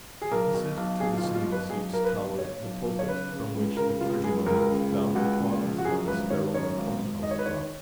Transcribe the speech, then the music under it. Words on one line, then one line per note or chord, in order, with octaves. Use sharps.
Opposite to the singing-seats towered the pulpit, from which the clergyman looked down upon us like a sparrow upon the house-top.
G#4
B1 A#4
B2
B1
B1 G#4
F4
B2
F4
B1
B4
B1 G#4
B1 A#4
B4
B2
B2 C#5
B1
B1
C#5
C#3 B4
C#3
C#2
C#3 A#4
C#2 F4
C#2 G#4
C#2 A#4
C#3
C#2
C#2 F#4
C#3
F3
F#4
F#2 G#4
G#1 B4
D#3 C#5
F#2 C#5
G#1
G#1
D#3 D#5
C#5
B4
D#3 C#5